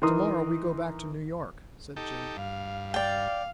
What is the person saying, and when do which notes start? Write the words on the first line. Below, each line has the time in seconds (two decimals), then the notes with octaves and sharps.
"To-morrow we go back to New York," said Jim.
0.02 E3 D#4 A#4 C6 D#6
1.96 D#4 G4 A4
2.37 G2 F5
2.94 D5 F5 G5